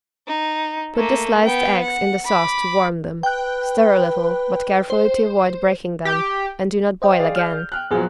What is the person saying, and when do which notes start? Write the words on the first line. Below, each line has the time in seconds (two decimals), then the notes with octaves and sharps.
Put the sliced eggs in the sauce to warm them, stir a little, but carefully to avoid breaking them, and do not boil again.
0.27 D#4
0.96 A3 A#3
1.45 B3 G5
1.82 F#5
2.25 B5 D6
3.23 B4 G5 F#6
4.90 C5
6.05 G4
7.02 C5 D#5 G5
7.19 G#4 D5 F5
7.36 F6 G6
7.72 G5 F6 F#6
7.91 A#1 F3 F#3 B3 G#4